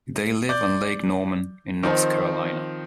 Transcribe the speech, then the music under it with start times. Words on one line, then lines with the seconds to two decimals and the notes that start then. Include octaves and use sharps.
They live on Lake Norman in North Carolina.
0.49 D5 G6
1.83 D#3 F3 C4